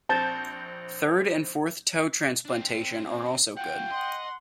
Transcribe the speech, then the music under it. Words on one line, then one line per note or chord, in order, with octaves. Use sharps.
Third and fourth toe transplantation are also good.
A#1 C4 A5 G6
C4 D4
F4 F#5 G5
D#5 F#5 C6